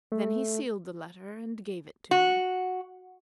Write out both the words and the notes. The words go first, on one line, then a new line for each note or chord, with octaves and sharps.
Then he sealed the letter and gave it to me.
A3
F#4